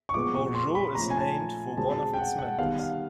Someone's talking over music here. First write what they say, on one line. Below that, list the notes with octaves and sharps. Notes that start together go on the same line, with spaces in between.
Borgeau, is named for one of its members.
C#6
A#2 F3 G#3 B3 D6
C#6
C6
B5
A#2 F3 A3 C#4 A#5
G#5
A5
B2 G#3 C4 A5
A5
G5
F#5
F#5
D#3 G3 B3 F5
F5